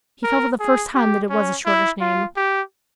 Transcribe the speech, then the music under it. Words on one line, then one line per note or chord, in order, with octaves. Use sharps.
He felt for the first time that it was a shortish name.
A#4
G#4
G4
C#4
E4
F4
G4